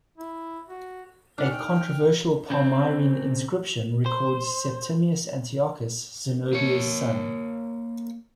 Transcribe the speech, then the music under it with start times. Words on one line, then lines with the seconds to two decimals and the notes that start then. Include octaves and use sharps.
A controversial Palmyrene inscription records Septimius Antiochus, "Zenobia's son".
0.18 E4
0.68 F#4
1.38 D4 D#4 F#5 G#5 F6
1.51 A3 G5
2.50 C#3 C4
4.06 C5
6.53 A#3 C#5